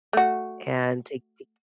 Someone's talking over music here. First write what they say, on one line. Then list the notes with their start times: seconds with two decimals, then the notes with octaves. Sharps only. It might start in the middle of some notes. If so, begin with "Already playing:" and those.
and take the
0.13 A3 F#4